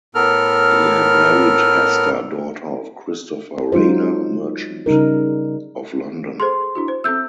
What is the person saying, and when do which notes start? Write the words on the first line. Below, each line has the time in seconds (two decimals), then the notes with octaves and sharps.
He had married Hester, daughter of Christopher Rayner, merchant, of London.
0.15 A2 B3 A4 A#4 F6
3.72 F#3 G#3 D#4 F4 C5
4.86 C#3 G3 D#4 A#4
6.40 G#4 A4 C5 C6
6.75 D4 E4 F#4
6.88 C5
7.04 C4 A4 E5 E6 G6